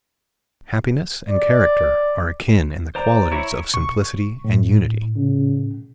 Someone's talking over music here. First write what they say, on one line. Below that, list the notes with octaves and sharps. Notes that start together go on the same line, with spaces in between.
Happiness and character are akin in the qualities of simplicity and unity.
D5
C5 D5 A#5
E4 C#5 A#5
C#6
A2
C#3